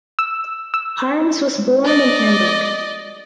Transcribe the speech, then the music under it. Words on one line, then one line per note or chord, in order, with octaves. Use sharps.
Harms was born in Hamburg.
E6
E6
D5 D#5